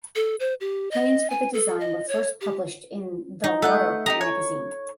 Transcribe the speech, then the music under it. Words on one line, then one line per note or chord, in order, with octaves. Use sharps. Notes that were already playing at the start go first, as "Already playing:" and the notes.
Plans for the design were first published in "The Rudder" magazine.
A4
C5
G4
D#5
G#5
A4
D#5
C#5
G4
D#4
A3 A4 F#5 G6
D#4 G4 A#5 D#6
C#5